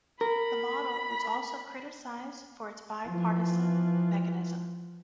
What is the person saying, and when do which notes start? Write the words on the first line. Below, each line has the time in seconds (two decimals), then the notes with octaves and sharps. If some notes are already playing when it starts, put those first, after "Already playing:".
The model was also criticised for its bi-partisan mechanism.
0.21 A#4 B5
3.07 E3 F3